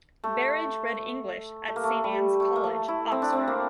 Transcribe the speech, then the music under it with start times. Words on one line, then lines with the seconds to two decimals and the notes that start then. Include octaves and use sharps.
Berridge read English at Saint Anne's College, Oxford.
0.24 A3
1.68 A3
1.76 A#3
1.84 A3
2.04 G3
2.40 A3
2.56 A#3
2.64 A3
2.88 E4
3.12 C4
3.22 D4
3.32 C4
3.48 A#3